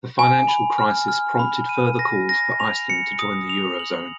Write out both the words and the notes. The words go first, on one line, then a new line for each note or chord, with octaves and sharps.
The financial crisis prompted further calls for Iceland to join the Eurozone.
G#5
B5
F6
F6
B5
D#7
A#6
A#6
F7
C#7
D#6
F7
F#7